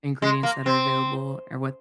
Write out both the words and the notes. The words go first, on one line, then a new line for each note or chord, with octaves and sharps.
ingredients that are available or what
G#3
A#3
C4